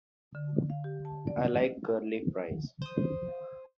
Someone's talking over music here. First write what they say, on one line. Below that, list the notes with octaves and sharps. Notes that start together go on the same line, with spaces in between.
I like curly fries.
D3
F5
G4
A5
D5
C5 D#6